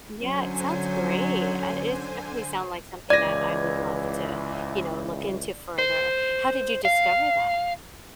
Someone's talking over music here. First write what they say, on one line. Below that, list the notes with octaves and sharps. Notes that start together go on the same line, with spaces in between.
Yeah, it sounds great, at is definitely sounds like something that I would love to, uh, you know, look into further. How did you discover that?
D3 F#3 C#4 C5 G#5
C#2 E3 D5 G#6 A#6
C5
F5